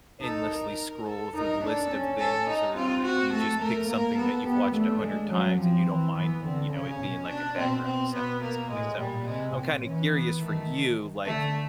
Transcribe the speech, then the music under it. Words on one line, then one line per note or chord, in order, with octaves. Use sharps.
endlessly scroll through the list of things or you just pick something that you've watched a hundred times and you don't mind, you know, it being like a background sound basically. So, I'm kinda curious for you, like,
D#4 A4
A#4
A4
D#4 A#4
D4 A4
C#4
A4
D#4
C4 F4
F#4
A3 A4
A3 A#4
A#3 A#4
B3 A4
B3 G4
A3 D4
G#3
F#3 C#4
F3 C4
E3
E3 B3
D3 C4
C#3 C#4
B2
D4
B2 C4
C4
B2 B3
A#3
A2 G#3
A#2 G3
C3 G#3
A#2 C4
E3 C#4
B3
D#3 A3
D3 A3